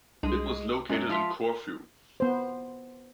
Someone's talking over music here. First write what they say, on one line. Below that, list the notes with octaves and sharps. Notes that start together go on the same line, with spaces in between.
It was located in Corfu.
C2 G#3 D4 D#7
F#2 F#3 G#3 C#4
F3 F4 E5
B3 C5